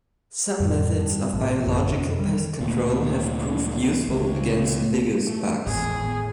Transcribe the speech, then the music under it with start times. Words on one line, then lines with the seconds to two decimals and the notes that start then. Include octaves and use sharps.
Some methods of biological pest control have proved useful against lygus bugs.
0.60 F2 A2 D3 G3
0.98 G2
1.33 A#1 A2 F3
1.65 A1 F#2 D3
1.94 F2 C3
2.19 G3
2.61 D2 A#2
4.09 C#2
5.27 A3
5.66 G#1 E2 A2 B3 G#4